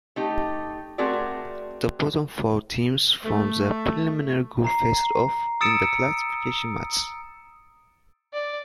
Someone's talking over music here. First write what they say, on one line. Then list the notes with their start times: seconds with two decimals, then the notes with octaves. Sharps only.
The bottom four teams from the preliminary group faced off in the classification matches.
0.16 A3 D#4 G4
0.98 A3 C4 F#4 G#4 A#4 D5
3.25 A3
4.64 A#5 C7
5.61 D#6 E6 A6 C#7 D7 E7
8.33 D5